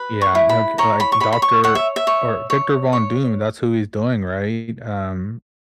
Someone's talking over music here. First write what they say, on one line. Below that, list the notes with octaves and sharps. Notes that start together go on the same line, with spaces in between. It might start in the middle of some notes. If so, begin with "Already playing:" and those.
Yeah. No cu like, doctor or Victor Von Doom, that's who he's doing, right? Um,
Already playing: B4
C#6
E4
B5
C#5 A#5
B5
C#6
C#5 B5
B5
C#6
C#5 F#5
E5
E5
C#5
C#5
C#5